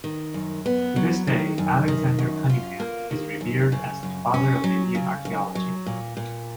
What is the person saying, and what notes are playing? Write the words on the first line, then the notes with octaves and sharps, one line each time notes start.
To this day, Alexander Cunningham is revered as the "Father of Indian Archaeology".
D#3
F#2
B3
F#3
D#3
F#2
D#3
F#2
F4
A#3
D#3
F#2
C#3
F#2
C#4
F#3
C#3
F#2
F#3
A#2
A#2